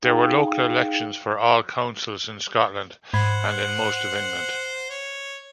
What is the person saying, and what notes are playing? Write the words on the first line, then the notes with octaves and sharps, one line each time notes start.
There were local elections for all councils in Scotland and in most of England.
D#4 G#4 F5 G5
G#2 C5 F#5 B5 G#6
C#5